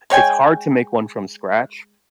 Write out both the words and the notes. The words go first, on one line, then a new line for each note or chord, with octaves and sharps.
it's hard to make one from scratch.
G#3 C#5 G5 G#5